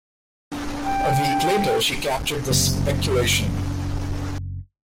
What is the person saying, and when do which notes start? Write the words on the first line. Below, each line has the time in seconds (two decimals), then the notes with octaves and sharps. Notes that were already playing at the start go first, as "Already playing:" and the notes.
A week later she captured the "Speculation".
0.85 G5
2.51 F#1 C3